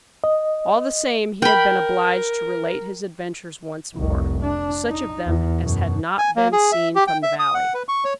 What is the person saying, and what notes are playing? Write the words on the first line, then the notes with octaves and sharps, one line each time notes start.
All the same he had been obliged to relate his adventures once more-- such of them as had not been seen from the valley.
D#5
A#4 G5 B5
F1 C2
D4
D#4
E2
F#2 B2
G#5
A#3
G#4
E5
G4
G5
E5
D#6
F#5
B4
C#6
C#5